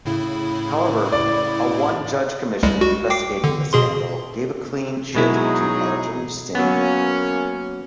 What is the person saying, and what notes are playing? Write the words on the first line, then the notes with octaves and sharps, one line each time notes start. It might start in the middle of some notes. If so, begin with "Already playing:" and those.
However, a one-judge commission investigating the scandal gave a clean chit to Arjun Singh.
A2 C#3 E4
D5
C2 G3 G#3
F#4
G5 D6 C7
D3
B2 G#4 C6
B2 F#3 G#3 D#4 E4 G#4
F#3 A#3 B3 C#4